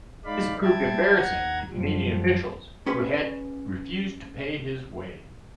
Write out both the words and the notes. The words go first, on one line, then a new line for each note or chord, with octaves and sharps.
This proved embarrassing to Canadian officials who had refused to pay his way.
G#3 D#4 D5 F5 B5
G3 E4 G5 A5 G#6
D#2 F#5 A#5 G#6
F#2 F3 G3
C#4 G#4 B4 C#5 B5 C6